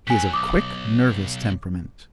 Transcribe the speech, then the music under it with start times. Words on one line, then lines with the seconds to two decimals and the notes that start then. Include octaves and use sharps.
He is of quick, nervous temperament.
0.07 A2 F#3 G#5 B6
0.34 B1 D6 D#6